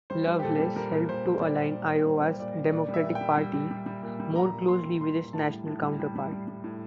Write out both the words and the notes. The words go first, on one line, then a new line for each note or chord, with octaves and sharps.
Loveless helped to align Iowa's Democratic Party more closely with its national counterpart.
G3 C5
G3
G4
A#2 A4
G3
G3 A#4
A#2
A#2 C5
G3
G3 D5
A#2
D5
A#2
A#2
G3 C5
G3
A#2 D5
A#2
A#2 D5
G3
E5
A#2
G5
G3
G3
G3
G3
G3
A#2
G3
G3 A#5
A#2
A#2 C6
G3
G3 C6
A#2
A2 A5
G3
A2
G3
G3
G3
G3
G3
A2